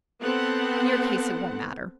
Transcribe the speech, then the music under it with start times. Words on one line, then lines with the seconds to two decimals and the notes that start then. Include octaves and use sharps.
In your case, it won't matter.
0.21 B3 C4 A4 F#5